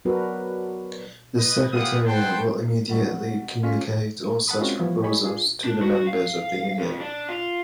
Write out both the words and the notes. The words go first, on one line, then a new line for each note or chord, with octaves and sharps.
The Secretariat will immediately communicate all such proposals to the Members of the Union.
F#3 B3 D4 F#4 A#4 B4
B4 D#5
E4 F4 G4 F5 F#5 D#6
B4 C5 F#5 G5 A5 C6
C2 G3 A3 C4 F#4
C#4 F4 C#5 F5 B6
F#5 A5 B5 D#6
G#3 A#3 C4 C#4 F4 F#4
E3 F3 G3 A3 B3 E4
G4 C#5 D#5 G#5 B5 C#6
D4 F4 G#4
D4
F#4
F5
F2
D4
F4